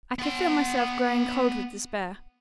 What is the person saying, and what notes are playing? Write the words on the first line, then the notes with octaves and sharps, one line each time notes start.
I could feel myself growing cold with despair.
B3 C6